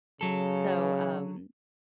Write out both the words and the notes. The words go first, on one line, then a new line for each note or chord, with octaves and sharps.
So, um
C#3 F#3 A4